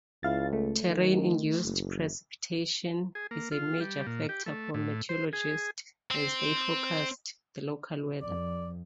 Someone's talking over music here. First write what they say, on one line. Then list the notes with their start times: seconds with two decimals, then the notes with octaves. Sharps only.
Terrain-induced precipitation is a major factor for meteorologists as they forecast the local weather.
0.23 C#2 E4 F5 A6
0.53 A3
0.87 D#3
1.64 F#1
3.15 G#4
3.31 A#3
3.51 F4
3.80 G3
4.07 A#2
4.29 G4
4.46 A3
4.74 A2
5.09 C5
5.33 G#4
6.11 C4 C5
8.22 F2 D5